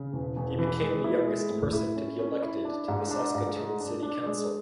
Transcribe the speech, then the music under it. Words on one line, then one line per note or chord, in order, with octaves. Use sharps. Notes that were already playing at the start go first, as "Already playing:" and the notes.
He became the youngest person to be elected to the Saskatoon City Council.
Already playing: C#3
E1
E1
E3
G#3
E4
G#3
A2
E4
C#4
C#4
E4
D4
G#2
D4
G#2
G#3
D4
D4
G#3